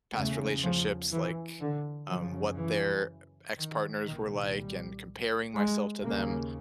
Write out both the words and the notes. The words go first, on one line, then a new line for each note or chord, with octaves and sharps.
past relationships, like, um, what their uh, ex-partners were like and comparing myself to them,
E2 C#3 A3
F3
E3
D3
F#2 C#3 F3
E3
D#3
C2 A#2 D#3
G3
G#3
D#2 C#3 A#3